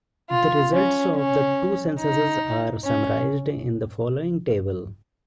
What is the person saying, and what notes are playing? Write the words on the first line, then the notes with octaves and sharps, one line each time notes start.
The results of the two censuses are summarized in the following table.
F4
C#4
C#4
D#4
C#4